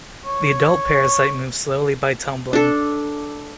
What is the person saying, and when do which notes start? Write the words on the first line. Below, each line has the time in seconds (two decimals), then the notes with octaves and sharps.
The adult parasite moves slowly by tumbling.
0.25 C#5
2.53 D4 A4